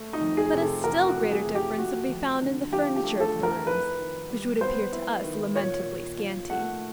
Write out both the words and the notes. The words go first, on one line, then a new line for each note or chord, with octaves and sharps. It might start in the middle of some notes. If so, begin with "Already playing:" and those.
But a still greater difference would be found in the furniture of the rooms, which would appear to us lamentably scanty.
Already playing: A3
D#4
F2
G#4
C3
A4
E3 A#4
F#4
A3
G#4
F2
G4
A3 F#4
F2
D3
F3 G4
G4
A3
A4
F2
A#4
E4 B4
D#3
G3
B3 C5
E4
D#3
A#2 C#5
A#2
F3
A3 F#5